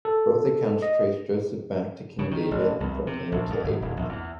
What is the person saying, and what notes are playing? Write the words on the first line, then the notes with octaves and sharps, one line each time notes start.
Both accounts trace Joseph back to King David and from there to Abraham.
A4
D#5
C#3
D#3
A1
C2
C3
A#1
F2
G#1
D#1
A#1
E2